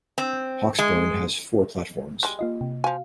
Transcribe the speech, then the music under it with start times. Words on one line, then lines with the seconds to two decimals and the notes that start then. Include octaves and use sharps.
Hawksburn has four platforms.
0.18 C4
0.79 G#3
2.23 G3 G#3
2.39 A#3 F4 D#5
2.61 C3
2.84 F3 F#4 F5 G#5